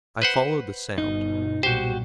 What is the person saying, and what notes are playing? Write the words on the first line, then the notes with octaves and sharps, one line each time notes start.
I followed the sound.
B4 C5 F#5
G1 B2 D#4
B1 G2 A#2 F#4 G4 C5